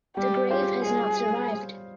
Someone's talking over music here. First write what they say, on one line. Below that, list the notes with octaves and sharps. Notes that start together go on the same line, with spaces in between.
The grave has not survived.
G3 G4
C#4 F4 G4 G#4 C5
G3 G#4